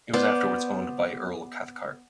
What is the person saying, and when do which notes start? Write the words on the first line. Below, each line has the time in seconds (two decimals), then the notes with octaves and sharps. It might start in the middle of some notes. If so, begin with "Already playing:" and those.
It was afterwards owned by Earl Cathcart.
0.13 B3 C5 D5